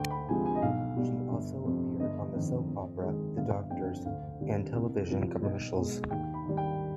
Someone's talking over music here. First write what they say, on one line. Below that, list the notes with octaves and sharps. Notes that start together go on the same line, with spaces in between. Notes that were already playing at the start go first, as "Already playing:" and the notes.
She also appeared on the soap opera "The Doctors" and television commercials.
Already playing: D2 G5
B5
C3 F3 G#3 G#5
G#5
D#5
B1 F5
B2 G3
G1
F2 C3
G1 D#5
F2 D#3
F2
D#3 G#3
G1 F5
F2 D3 G5
D2 F5
C3 D#3 G3
C2
C3 F3
B1 D#5
B2
G#3
D#2 G5
B5
D#3 G3
G5